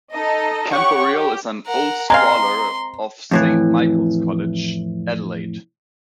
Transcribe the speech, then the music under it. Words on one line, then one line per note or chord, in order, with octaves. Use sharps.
Camporeale is an old scholar of Saint Michael's College, Adelaide.
D#4 A4 D#5
G4 C#5 F#5 C#6
G4
A#4 F#5
G#3 C4 F5 A#5 C6
F2 A2 E3